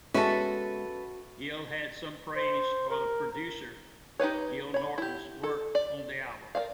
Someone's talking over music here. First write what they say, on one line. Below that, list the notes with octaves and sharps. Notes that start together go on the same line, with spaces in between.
Gill had some praise for producer Gil Norton's work on the album.
G#3 B3 C#4 F#4 A4 B4 E5
C5
A#4
D#4 G4 B4 C#5
C#5 B5
E4 G4
A4
D5
A#4 C5 D5 F5